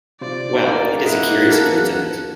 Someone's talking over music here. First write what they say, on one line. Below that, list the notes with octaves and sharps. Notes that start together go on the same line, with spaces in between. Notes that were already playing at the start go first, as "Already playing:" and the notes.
Well, it is a curious coincidence.
C3 F4 C5 D5
A#3 E4
E4 D#5 F#5
F#4 A4 A#4